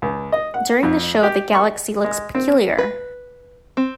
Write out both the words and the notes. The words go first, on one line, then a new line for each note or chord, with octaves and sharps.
During the show the galaxy looks peculiar.
C#2
D#5
F#5
F2
G4
C#6
G#3
C4
B4
C4